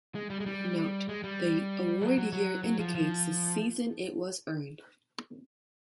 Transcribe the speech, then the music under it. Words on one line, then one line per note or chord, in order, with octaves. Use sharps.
Note: The award year indicates the season it was earned.
G#3
G3
G#3
G3
G#3
G3
F#3
F#3
F#3
F#3
F3
F3